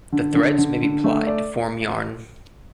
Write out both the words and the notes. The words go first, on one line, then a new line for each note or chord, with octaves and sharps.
The threads may be plied to form yarn.
D3
D3
D3
D3
A3
D5